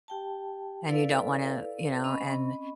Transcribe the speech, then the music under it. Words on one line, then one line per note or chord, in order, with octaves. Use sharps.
And you don't wanna, you know, and
G4 G5 A5
E4 A4 B4 D5 F5
C4 C#4 D#5 B5 C#6